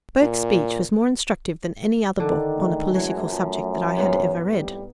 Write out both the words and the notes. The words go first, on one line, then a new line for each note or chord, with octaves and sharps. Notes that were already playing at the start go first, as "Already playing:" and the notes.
Burke's speech was more instructive than any other book on a political subject that I had ever read.
A#2
D3 D#3 D4
G#3 A3
F#2 E3 F#3
F3 A3
G#2 B3 C#5 F5
F2 A2 G3